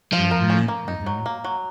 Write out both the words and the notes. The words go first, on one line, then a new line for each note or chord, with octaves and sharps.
Mhm, mhm.
F3 F4
A#4
C#4
A#3
D#4
F#3
A#3
F#3